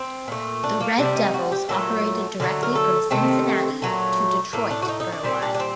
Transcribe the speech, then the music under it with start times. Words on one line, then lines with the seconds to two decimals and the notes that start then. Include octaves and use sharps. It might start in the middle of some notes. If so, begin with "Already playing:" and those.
The Red Devils operated directly from Cincinnati to Detroit for a while.
Already playing: C4
0.28 A#2 A3
0.64 D4
0.81 A#3
0.98 C3 G3 D4
1.16 D#4
1.34 F#4
1.52 G4
1.69 A#2 F#3 A3 A4
2.40 D3 F#3 A3 A#4
2.63 A#4
2.75 A4
3.11 C3 D#3 A3 C4
3.82 A#2 F#3 A3
4.53 A2 A3 A#3
4.71 D4
4.82 F#4
4.88 D#4
5.00 D#4
5.12 D4
5.23 A#2 G3 C4
5.42 D4
5.55 D4
5.60 C4